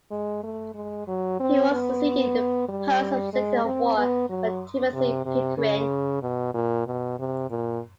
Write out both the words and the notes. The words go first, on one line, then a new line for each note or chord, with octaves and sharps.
He was succeeded in the post of Secretary of War by Timothy Pickering.
G#3
A3
G#3
F#3
C4
B3
G3
G#3
C4
B3
F#3
C3
C3
C#3
B2
A#2
B2
C3
A#2